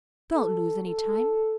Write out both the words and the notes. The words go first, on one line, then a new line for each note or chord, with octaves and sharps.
Don't lose any time.
A4
A4